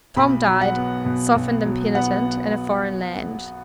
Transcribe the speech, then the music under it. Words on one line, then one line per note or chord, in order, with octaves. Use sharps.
Tom died, softened and penitent, in a foreign land.
B1 B5
F#3
F#5
B3
B2
B1
F#3
B3 F#5